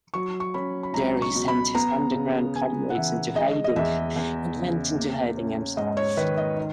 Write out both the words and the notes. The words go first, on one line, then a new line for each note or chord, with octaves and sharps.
There he sent his underground comrades into hiding and went into hiding himself.
F#3 C#6
C#6
C#4 B5
B5
C#2 A#5
C#6
B2
B5
B3 A#5
C#3
C#3 G#5
F#5
E3 E5
G#3 D#5
D#5
E2 E5
E2
C#3
A#3
C#4
G#2 D#5
C#5
D#3 B4
D#5
D#4